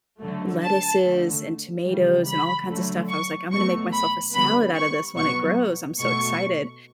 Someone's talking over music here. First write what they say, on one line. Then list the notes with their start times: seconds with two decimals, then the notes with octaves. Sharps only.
lettuces and tomatoes and all kinds of stuff. I was, like, I'm gonna make myself a salad out of this when it grows, I'm so excited.
0.21 D3 F#3 A3
0.63 A5
1.05 D3 A3
1.87 C#3 E3 G3
2.28 B5
2.70 D3 F#3 A3
3.11 C#6
3.52 B2 F#3 A3 C#6
3.93 B5
4.34 D3 G3 B3 B5
4.76 C#6
5.17 B2 F#3 B3 C#6
6.00 B2 A3 C#6